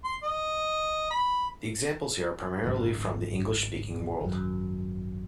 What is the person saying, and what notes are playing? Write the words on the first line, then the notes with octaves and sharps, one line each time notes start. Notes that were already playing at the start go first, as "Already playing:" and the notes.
The examples here are primarily from the English-speaking world.
C6
D#5
B5
D1 G#1 C#2 G#2
G#1 F#2